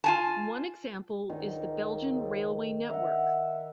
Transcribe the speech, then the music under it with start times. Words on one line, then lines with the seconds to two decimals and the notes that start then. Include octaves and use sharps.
One example is the Belgian railway network.
0.04 F4 G#5 A5
1.30 C#2 G#2 D#3
2.90 E5 F#5 A#5